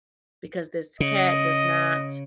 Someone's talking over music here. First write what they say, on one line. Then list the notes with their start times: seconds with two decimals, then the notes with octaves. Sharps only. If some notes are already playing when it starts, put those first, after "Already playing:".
because this cat does not,
1.00 C#3 D#5